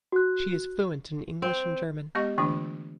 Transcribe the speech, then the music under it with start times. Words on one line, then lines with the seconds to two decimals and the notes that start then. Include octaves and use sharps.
She is fluent in English and German.
0.12 F#4 F#6
1.42 C4
2.15 G#3 B3 G4 D#5 C#6
2.38 D3 E3 A3 D4 F4